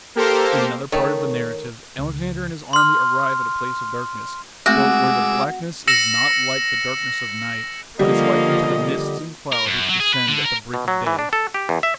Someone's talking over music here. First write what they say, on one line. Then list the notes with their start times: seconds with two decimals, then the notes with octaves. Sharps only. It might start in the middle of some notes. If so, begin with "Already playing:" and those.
In another part of the narrative Alexander and his army arrive at a place of darkness "where the blackness is not like the darkness of night, but is like unto the mists and clouds which descend at the break of day".
0.16 A#3 G4 A4 A#4 C5
0.92 D#3 A3 C#5
1.99 C#2
2.73 C6 F6
4.66 G#3 A3 C4 F#4 D6 E6
5.88 E6 A#6 C#7 E7
7.99 D3 F3 G3 A#3 D#5
9.52 A#4
9.66 F#2
9.89 F#3
10.01 G#4
10.14 B4
10.28 D3
10.46 A#4
10.74 B2
10.88 F#3
11.07 E3
11.19 D4
11.33 A4
11.54 G4
11.69 E2
11.83 E5